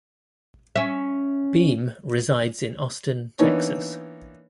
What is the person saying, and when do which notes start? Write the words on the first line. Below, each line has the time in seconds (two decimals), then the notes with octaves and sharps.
Beem resides in Austin, Texas.
0.76 C#4 E5
3.39 E3 A#3 B3 D4 D#4 C#5